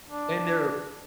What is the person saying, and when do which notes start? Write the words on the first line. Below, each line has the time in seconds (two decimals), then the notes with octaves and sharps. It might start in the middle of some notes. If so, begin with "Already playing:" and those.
and they're,
0.10 D4